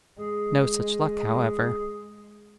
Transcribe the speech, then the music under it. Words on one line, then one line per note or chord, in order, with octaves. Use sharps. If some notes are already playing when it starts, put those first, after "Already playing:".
No such luck, however.
G#3 G#4